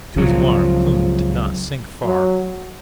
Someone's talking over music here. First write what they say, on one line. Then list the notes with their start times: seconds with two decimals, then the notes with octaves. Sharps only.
To his alarm, Kloon did not sink far.
0.16 C#2 C#3 F3 F#3
2.05 F#3